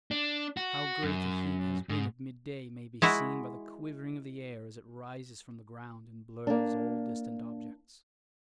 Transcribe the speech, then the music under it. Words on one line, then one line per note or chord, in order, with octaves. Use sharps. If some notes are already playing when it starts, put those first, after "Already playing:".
How great the heat has been at midday may be seen by the quivering of the air as it rises from the ground and blurs all distant objects.
D4
F#4
F#2
G#2
G#3 E4 F#4
A#3 D4